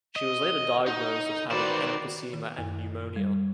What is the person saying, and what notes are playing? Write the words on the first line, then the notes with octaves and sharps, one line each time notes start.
She was later diagnosed as having emphysema and pneumonia.
D#5
D#4
D#3 F#4 B4 C5 D5
D#3
F#2
G3